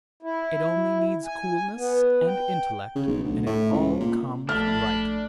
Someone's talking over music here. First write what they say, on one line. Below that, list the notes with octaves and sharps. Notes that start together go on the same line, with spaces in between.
It only needs coolness and intellect, and it all comes right.
E4
G#5
B3
G5
C#3
B1
D2
A2
C#2
A#2
A#1 A3 D4 A5 B5 F6